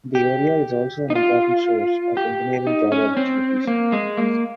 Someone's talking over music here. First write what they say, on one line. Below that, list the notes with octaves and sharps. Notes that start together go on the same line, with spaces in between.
The area is also an important source of engineering job opportunities.
G4
D#4
F4
G4
D#4
C#4
C4
A#3
G#3
A#3